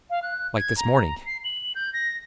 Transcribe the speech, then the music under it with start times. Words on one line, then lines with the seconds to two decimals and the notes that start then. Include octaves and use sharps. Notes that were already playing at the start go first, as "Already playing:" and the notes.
"Like this morning."
0.10 F5
0.23 F#6
0.56 G#6
0.77 A#5
1.26 C7
1.44 F#7
1.75 G6
1.93 A#6